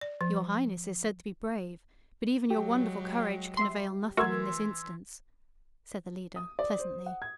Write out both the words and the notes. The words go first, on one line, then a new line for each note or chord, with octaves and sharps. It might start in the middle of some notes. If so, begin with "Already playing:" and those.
"Your highness is said to be brave, but even your wonderful courage can avail nothing in this instance," said the leader, pleasantly.
D5
F3
F#3 G#3 G4
E5 C6
E3 A3 F#4 A#4 C6 E6 G#6
D#6
D5
C5
F#5
G#6